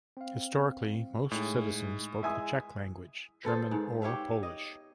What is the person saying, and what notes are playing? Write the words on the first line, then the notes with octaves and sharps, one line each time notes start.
Historically, most residents spoke the Czech language, German, or Polish.
C4 F5
A2 G#3 D#4 G#4
G#3 E4 E5 G#5 D#6
B3 A4 C5
G#2
G4 C#5 E5 F5
D#5